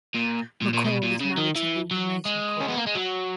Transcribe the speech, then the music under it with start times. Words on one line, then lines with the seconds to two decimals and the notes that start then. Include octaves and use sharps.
McCaul is married to Linda Mays McCaul.
0.15 A#2
0.62 A#2
0.74 A#2
0.85 B2
1.03 A#2
1.20 C#3
1.37 D#3
1.56 E3
1.91 F#3
2.25 G#3
2.61 C#4
2.68 B3
2.77 A#3
2.87 G#3
2.95 F#3